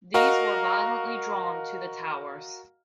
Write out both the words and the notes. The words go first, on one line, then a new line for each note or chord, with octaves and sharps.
These were violently drawn to the towers.
F#4 A#4 D#5 F5 A#5